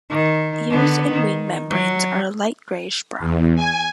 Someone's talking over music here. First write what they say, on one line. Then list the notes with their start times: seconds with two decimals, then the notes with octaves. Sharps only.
Ears and wing membranes are a light greyish brown.
0.10 D#3
0.70 D3 B3
1.12 D#3
1.70 F#3
3.19 E2
3.56 G#5